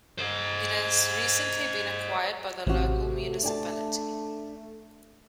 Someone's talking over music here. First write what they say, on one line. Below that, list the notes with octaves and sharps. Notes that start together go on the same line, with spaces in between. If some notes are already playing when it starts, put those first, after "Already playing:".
It has recently been acquired by the local municipality.
C5 D#5
A1 C3 F#4
A3
D4 G#5 A5